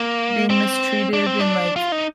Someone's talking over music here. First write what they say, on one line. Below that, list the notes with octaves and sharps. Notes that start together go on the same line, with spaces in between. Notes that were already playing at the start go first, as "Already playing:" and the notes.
being mistreated in, like,
Already playing: A#3
C4
D4
C4
D4
F4
D#4